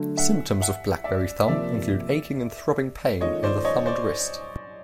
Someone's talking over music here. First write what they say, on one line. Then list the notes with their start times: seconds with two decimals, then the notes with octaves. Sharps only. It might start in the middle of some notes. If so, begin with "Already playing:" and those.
Symptoms of BlackBerry thumb include aching and throbbing pain in the thumb and wrist.
Already playing: D3 F#3 A3
0.17 E5 F#5
0.62 E5 F#5
1.04 D5 E5
1.47 C3 F3 A#3 D5 E5
3.21 D#3 G#3 C#4 F4 A4 C#5 D#5
3.43 C5 D5
3.65 C#5 D#5
3.86 C5 D5